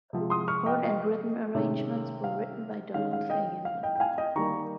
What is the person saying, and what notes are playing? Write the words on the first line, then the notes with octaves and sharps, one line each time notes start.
Horn and rhythm arrangements were written by Donald Fagen.
C3 F3 G#3
C6 D#6
C#6 F6
D#5 G5
D#5
C3 D#3 G#3 C#4
F5
D#3 G#3 C#4 F5
F5
D#5 G5
F5
D#5 G5
G5
F5 G#5
D#5 G5
D#3 G3 A#3 A#5 C#6